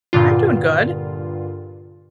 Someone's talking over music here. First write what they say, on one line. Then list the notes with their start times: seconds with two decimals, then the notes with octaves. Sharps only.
I'm doing good.
0.13 G2 A#2 D3 F4